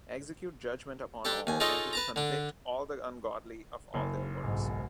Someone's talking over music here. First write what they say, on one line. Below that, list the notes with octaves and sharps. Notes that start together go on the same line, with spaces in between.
Execute judgment upon all, and to convict all the ungodly of all their works.
D4 G4 A4
D#2 G#5
D#4 F4 G#4 A4 C#5 D#5
B4 A5 A#5
D3 D4
F#1
B1 G#2